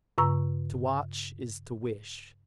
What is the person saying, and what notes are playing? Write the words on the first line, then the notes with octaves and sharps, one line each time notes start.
To watch is to wish.
G2 C#3 A#5 C#6 E6